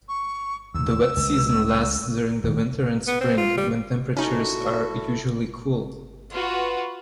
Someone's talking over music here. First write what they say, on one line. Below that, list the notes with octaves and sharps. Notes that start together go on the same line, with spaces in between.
The wet season lasts during the winter and spring, when temperatures are usually cool.
C#6
D#2 E6
C#2
D#1
B3
C4
F4
G3
C#4 D#4 E4 F#4 A4
F4 F#4 B4